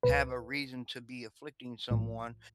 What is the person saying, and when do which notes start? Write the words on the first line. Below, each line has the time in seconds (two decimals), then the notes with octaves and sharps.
have a reason to be afflicting someone,
0.03 C#2 B2 B4
1.91 B1 A2 F3